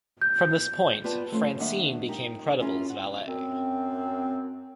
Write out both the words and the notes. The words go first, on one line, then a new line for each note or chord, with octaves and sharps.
From this point, Francine became Credible's valet.
G6
B3 F4 G4 B4 D5 A5
F2 A3 C#4 F4 C5 F5
D#2 G3 D4 D#5 E5 F#5
D#4 G4 A#4
C#4 E4 F4 G#4 A#4
F#5
F#2 C4